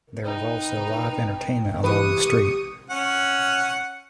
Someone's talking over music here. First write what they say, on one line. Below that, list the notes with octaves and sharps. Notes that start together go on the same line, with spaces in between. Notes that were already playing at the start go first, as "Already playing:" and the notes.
There is also live entertainment along the street.
D#4 B4 G5
E3 G4 B4 C#6 D#6
C#4 F#5